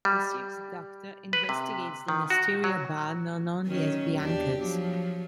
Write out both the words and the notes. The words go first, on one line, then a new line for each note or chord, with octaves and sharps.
The Sixth Doctor investigates the mysterious bar known only as "Bianca's".
G3
B4
C3
D#3
F#4
F#3
D#3 F#3 C#4
E2 D4 G4
F3 F#3